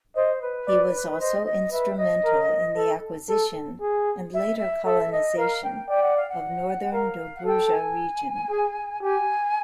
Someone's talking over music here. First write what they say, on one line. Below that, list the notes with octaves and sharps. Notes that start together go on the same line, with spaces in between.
He was also instrumental in the acquisition, and later colonization, of Northern Dobruja region.
C5 D#5
B4
D5
C5 D#5
D#5
B4 E5
D#5
A#4
A4
A4
G#4
E5
E5
A4 E5
D#5
A#4 F5
G5
D5 G5
F#5
F5
F#5
A#4 F5
F#5
A4 G5
A5
G#5
G#4
G4 G#5